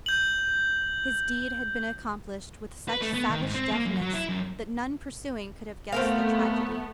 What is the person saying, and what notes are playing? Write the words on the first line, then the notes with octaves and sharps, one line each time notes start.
His deed had been accomplished with such savage deftness that none pursuing could have guessed the tragedy.
G6 F#7
B4
A3
B3
D#3
G#2
C4
A#3
F#2
F#3
E4
F#2
A3 B3 C4 A#4 F5